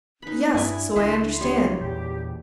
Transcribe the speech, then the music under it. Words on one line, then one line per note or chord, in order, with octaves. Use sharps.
"Yes, so I understand."
C#4 D#4 B4 B5
G2 D4 E4 D5 G#5
C#2 E4 B4 C6
G3 C#5
E2 A#2 G4